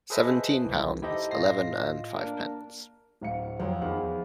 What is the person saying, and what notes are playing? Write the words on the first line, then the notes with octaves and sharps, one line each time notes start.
Seventeen pounds eleven and fivepence.
G#4 A4 B4 C5 D#5 E5
C2 E3
D#4 E4 G4 A4 C5 D#5
A2 F4 D#5 A#6 C7
A#3 D4 A#4
D1 F5 C#7
F2 F3 F#3
E2 D#3 E4